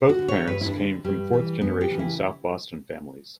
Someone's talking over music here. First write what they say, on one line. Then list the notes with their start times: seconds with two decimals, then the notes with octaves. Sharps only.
Both parents came from fourth-generation South Boston families.
0.09 F#4
0.19 D3
0.28 C#5
0.47 G2 B4
0.61 E4
0.66 D4
0.76 D3
1.04 G2 G3
1.33 E3
1.61 F#2 B3
1.81 G4
1.90 C#3 E3
1.99 E4